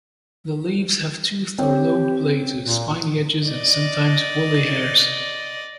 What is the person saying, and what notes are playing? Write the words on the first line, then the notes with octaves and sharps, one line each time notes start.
The leaves have toothed or lobed blades with spiny edges and sometimes woolly hairs.
C4 G4 C#5 G5
A#2
D5 D#5